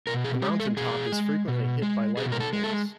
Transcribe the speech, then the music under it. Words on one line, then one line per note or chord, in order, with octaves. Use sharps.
The mountain top is frequently hit by lightningbolts.
B2 A#4
G#4
G#3 G4
A4
B2 G#4
G#3
B2
G#3
B2 G#4
A#4
A4
G#3
A4